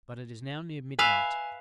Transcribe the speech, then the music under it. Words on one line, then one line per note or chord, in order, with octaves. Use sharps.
But it is now near midnight.
B4 E5 F5 G#5